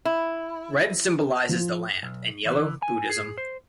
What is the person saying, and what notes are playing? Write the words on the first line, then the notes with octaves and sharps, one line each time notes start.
Red symbolises the land and yellow, Buddhism.
E4
F3
B1
E3
G#5
G#4
C5